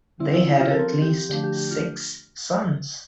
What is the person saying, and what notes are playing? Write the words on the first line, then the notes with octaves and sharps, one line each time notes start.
They had at least six sons.
D3 G3 C4 E4
E4
E4
G4
F4
A#4
F3 C4 A4
G4
D3 F3 A3 D4 G4
G4
G4
F4